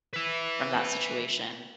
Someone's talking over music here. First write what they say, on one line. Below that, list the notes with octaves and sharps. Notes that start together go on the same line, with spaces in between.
from that situation.
B4 E5